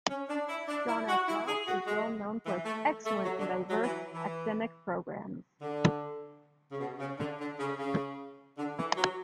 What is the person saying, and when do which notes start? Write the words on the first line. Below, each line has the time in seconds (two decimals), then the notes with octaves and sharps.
John F. Ross is well known for its excellent and diverse academic programs.
0.09 C#4
0.28 D4
0.48 E4
0.68 D4
0.87 E4
1.08 F#4
1.27 E4
1.46 G#4
1.67 F#4
1.86 G#3
2.46 E3
2.65 A3
3.05 A3
3.24 F#3
3.39 D3
3.69 F#3
3.83 E3
4.13 E3
5.61 D3
6.71 C#3
6.79 B2
6.99 C#3
7.19 D3
7.39 D3
7.59 C#3
7.79 C#3
8.57 D3
8.78 E3
8.96 F#3